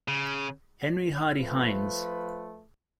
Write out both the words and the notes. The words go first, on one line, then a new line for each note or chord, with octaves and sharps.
Henry Hardy Heins.
C#3
F3 A3 B4